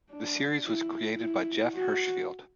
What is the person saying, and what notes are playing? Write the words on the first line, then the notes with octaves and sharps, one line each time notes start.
The series was created by Jeff Hirschfield.
D4
E4
E4
F#4